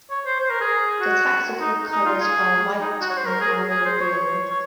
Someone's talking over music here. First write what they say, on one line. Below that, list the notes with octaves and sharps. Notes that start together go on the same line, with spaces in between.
The Tactical colours are White on Royal blue.
C#5
C5
C5
A#4
G#4
F#4
D#4
D#4
F4
G#4
D#4
F#4
C#5
C5
A#4
G#4
G#4
C5
C#5
C#5